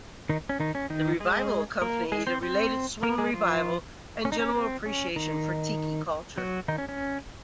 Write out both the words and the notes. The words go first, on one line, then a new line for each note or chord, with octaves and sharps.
The revival accompanied a related swing revival and general appreciation for tiki culture.
D#3 D#4
C#4
D#3 D#4
C#4
D#3 D#4
G#3 G#4
A#3 A#4
G#3 G#4
C4 C5
C4 C5
A#3 A#4
G#3 G#4
F3 F4
C#4
D#4
C#4
C4
C#4
D#3 D#4
F#3 F#4
D#3 D#4
C#4
C#4